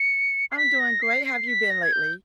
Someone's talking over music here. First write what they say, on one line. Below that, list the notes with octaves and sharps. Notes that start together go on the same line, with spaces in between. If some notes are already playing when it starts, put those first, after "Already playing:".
I'm doing great. How've you been lately?
Already playing: C#7
C7
B6
A#6
C7
C7
B6
A#6
G#6
G6